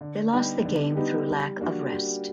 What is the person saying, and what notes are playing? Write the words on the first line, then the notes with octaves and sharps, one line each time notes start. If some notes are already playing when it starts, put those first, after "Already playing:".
They lost the game through lack of rest.
D3
G3 B3 D#4 G4
D3
G3 B3 D#4 G4
G3
A#3 D4 F#4
G3